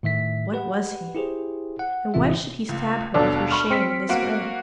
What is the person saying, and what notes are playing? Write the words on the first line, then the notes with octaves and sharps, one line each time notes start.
What was he? And why should he stab her with her shame in this way?
A2 D#3 E5 B6
G4 B4 F#5
E4 G4 G#4 C5
F#5
A1 C3 E3 C4 F4 E5
C#2
D#2 B2 D4 A4 D5
B5 C#6 F6
C4 B6 C#7 D7
A#3 F#4 D7